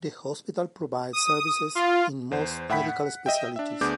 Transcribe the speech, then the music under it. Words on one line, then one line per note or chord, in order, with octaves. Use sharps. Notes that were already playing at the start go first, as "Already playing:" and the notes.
The hospital provides services in most medical specialities.
D#6
F4
E2 C5
A2 E5 F#5 G5 B5 B6
F#5
D#5 E5 G5
D4 E5
D2 B3 D4 G#4 D6 G6